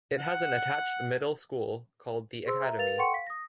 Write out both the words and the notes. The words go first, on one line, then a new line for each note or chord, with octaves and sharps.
It has an attached middle school called the "Academy".
F#5
G#4 C5 C6 E6
E5 A#5
A#4 B4 F5 A6 F7
A4 F#5 G5 C6 C#6 C#7
F5 B6
D#6 A#6